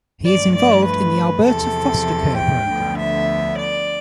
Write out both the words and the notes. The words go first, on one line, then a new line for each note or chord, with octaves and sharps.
He is involved in the Alberta Foster Care Program.
G2 F3 A3 D5
D5
B4
E2 C3 F3 A4
G5
D2 D3 F3 B3
E5
D5